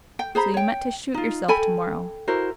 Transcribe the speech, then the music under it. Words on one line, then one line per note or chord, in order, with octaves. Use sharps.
So you meant to shoot yourself to-morrow!
G5
G#4 C5 A#5 B5
C#5 G5
D#4 F4
A4 G5 G#5 B5
E4 F#4 A#4 C5